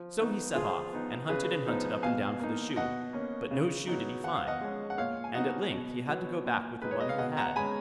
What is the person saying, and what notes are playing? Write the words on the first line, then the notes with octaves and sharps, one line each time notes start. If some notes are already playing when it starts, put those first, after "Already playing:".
So he set off, and hunted and hunted up and down for the shoe, but no shoe did he find; and at length he had to go back with the one he had.
Already playing: F3
B3 D#4
F3 F4 G#4
B3 D#4
C#3 G#4 B4
F3 B3 D#4
B2 F5 G#5
A#3 D#4
B2 D#5 F#5
A#3 C#4
C#3
F#3 B3 D#4
F3 F#5
F5
D#5 F#5
G#3 C#4
F#5
A#2 C#5 F5
G#5
F#3 B3 D#4 D#5 F#5
B2
F#3 B3
A#2
G#3 D#4 B4
C#5
D#5
F5
B2 D#5 F#5
F#5 A#5
G#3 C#4 G#5 B5